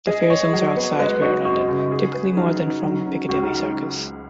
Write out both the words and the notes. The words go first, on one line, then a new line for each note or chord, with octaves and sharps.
The fare zones are outside Greater London, typically more than from Piccadilly Circus.
G#4 D#5
C#5
F#3
B3
G#3 B4
D#4 F#4
F#2 F#4
C#3
G#4
B4
F#3 D#4
C#4
F#3
C#4
C#2 F#4
D#4